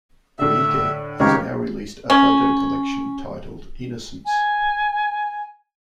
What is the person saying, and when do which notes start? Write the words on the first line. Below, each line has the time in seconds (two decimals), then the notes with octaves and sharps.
Koike has now released a photo collection titled Innocence.
0.39 A2 D3 E5
1.20 G#1 C#2 G4 A#4 C#5
2.10 C#4
4.26 G#5